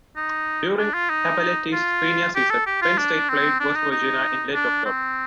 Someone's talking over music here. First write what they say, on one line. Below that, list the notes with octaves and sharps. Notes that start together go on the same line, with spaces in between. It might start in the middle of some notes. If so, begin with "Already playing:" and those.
During Cappelletti's senior season, Penn State played West Virginia in late October.
D#4
D4
F4
D#4
F4
G4
A4
G4
F4
D4
C4
D4
D#4
D#4
D4
C4